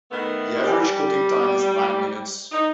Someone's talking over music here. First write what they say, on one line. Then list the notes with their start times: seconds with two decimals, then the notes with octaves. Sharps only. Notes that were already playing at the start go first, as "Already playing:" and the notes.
The average cooking time is nine minutes.
0.12 D#3 A3 B3
0.64 D#2 G#2 C3 D#3 G3 G4
0.80 G3
2.52 D#4